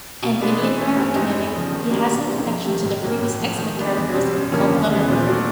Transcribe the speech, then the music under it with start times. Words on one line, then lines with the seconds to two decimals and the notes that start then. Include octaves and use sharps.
An Indian pyrokinetic, he has no connection to the previous X-Men characters called Thunderbird.
0.22 B2
0.40 G#3 B3 D4
0.59 E3
0.78 A3 C#4
0.96 G2
1.15 E3 G#3 C4 D#4
1.34 E2
1.53 C#3 F3
1.71 D#3
1.90 G3 A#3 D4 F#4
2.09 B2
2.27 G#3 C4 E4
2.46 F2
2.65 C3 D#3
2.84 A2
3.02 F#3 A#3 C#4
3.21 A2
3.40 F3 G#3
3.58 D#3
3.77 G#3 B3 D4
3.96 E2
4.14 B2 G3 C4
4.33 F#2
4.51 D3 F3 A#3 C#4
4.71 D#2
4.89 C#3 E3 G#3 B3
5.08 A#2
5.26 F#3 A3 D4 F#4